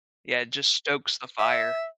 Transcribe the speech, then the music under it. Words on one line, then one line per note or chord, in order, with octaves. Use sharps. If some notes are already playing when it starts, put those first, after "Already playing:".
Yeah, it just stokes the fire.
E5